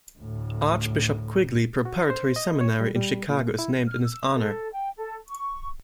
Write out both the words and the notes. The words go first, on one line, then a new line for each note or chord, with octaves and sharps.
Archbishop Quigley Preparatory Seminary in Chicago is named in his honor.
D2 A2
F#4
C5
D#5
C#5
G3
G3
A#2
E4
F6
E6
A4
G5
A4
C#6